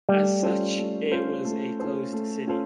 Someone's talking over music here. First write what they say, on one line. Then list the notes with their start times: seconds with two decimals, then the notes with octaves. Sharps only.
As such it was a closed city.
0.09 G3 A3
0.43 C#4 F4 A4 C5
0.78 A3
1.12 C#4 F4 A4 C5
1.45 A3
1.80 C#4 F4 A4 C5
2.13 A3
2.47 C#4 F4 A4 C5